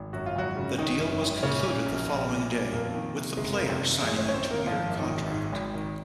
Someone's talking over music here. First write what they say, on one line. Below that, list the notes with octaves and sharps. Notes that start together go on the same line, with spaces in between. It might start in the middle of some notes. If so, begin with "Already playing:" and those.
The deal was concluded the following day, with the player signing a two-year contract.
Already playing: G#1
F#2 F#4
F4
G#1 F#3 F#4
C#3
G#1 D#3 D#4
F#2
G#1
A#2 C#3 C#4
A#2
A#1
A#1
A#2
A#2
F2 A#3
D#3
C3
F#1 G#3
A#3
F2
C3 C4
D#3
F#2 G#3 G#4
G#1 C#4 C#5
C#5
C4 C5
D#3
A#3 A#4
G#1 F3 F4
F#2
D#3 D#4
G#1
G#2
G#1
D#3